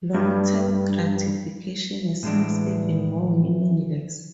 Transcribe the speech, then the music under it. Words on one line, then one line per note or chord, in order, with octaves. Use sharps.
Long-term gratification seems even more meaningless.
G2
A2 E3 G#3 D4